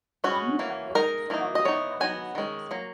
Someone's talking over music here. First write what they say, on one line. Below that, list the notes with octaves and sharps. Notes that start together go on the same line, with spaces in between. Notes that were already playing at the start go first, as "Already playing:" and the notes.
Formal suppers follow a standard order.
G#3 C#4 F#4
E3 A#3 C#4
G#3 D#4 A#4
E3 A#3 D#4
D#5
E3 B3 D#4 C#5
F#3 B3 D#4 G#5
D#3 G#3 C#4
F#3 A#3